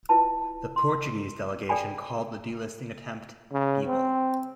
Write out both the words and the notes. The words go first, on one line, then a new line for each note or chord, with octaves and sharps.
The Portuguese delegation called the delisting attempt "feeble".
E4 F4 B4 A5 B5
C6
G#4 A4 D5 G5 G#5 B5
C#3
C4